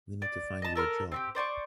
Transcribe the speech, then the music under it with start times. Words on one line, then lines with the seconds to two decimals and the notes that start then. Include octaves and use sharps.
We need to find you a job.
0.22 D5
0.62 D#5 A5
0.75 A4 A#4 C6 F6
1.12 C4 F#4 G4
1.35 C5 D5 G#5 C#6